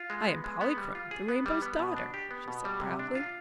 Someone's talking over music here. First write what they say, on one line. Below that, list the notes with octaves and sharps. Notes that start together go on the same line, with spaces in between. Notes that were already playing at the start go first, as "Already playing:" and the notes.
"I am Polychrome, the Rainbow's Daughter," she said proudly.
Already playing: F4
G#3
B3
G#3
B3
G3
F4
G#4
B3
G3
B3
B2
D4
G4
B3
B2
G3
C3
D4
F4